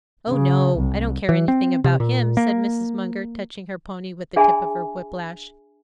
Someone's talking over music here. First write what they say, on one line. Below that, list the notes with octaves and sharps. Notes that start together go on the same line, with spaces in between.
"Oh no; I don't care anything about him," said Mrs. Munger, touching her pony with the tip of her whip-lash.
C#3
C2
E3
C4
C3
A#2
A#3
D4 G#4 E5 G#5 A5 B5